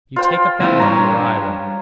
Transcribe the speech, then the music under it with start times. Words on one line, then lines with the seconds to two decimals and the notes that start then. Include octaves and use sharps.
You take up that money, or I will.
0.16 F4 C5 G5
0.61 E3 C4
0.79 G2 C#5 A#5